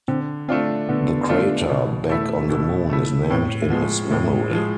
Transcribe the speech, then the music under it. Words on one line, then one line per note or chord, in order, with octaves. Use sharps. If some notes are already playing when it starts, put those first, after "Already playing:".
The crater Back on the Moon is named in his memory.
D3 C4
A3 C4 D4 F4
D3 B3
A3 D4 F4
B2
A3 E4
B2
A3 E4
A2 C4
A3
F3 G#3 B3
A2 A3
A3
G#3
E3 F3 G#3